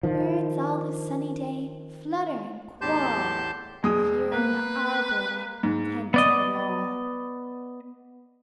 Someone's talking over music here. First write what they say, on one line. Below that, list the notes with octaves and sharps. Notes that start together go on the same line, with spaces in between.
Birds all the sunny day Flutter and quarrel Here in the arbour-like Tent of the laurel.
D#3 F3
E2 A2 G4 A5 C6 G6
E1 G#3 D#6
A#3 B4
G#2
B3 D5 D#5